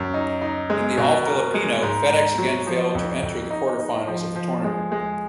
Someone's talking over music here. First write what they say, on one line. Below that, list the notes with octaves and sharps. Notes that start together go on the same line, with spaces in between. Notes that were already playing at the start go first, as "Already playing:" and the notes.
In the All-Filipino, FedEx again failed to enter the quarterfinals of the tournament.
Already playing: F#2
D#4
D#4
G#3
B2
A#4
G#3
G#2
G#2
F#3
F3
F2
F2
D#4
D#4
F3
F3
G#3
G#3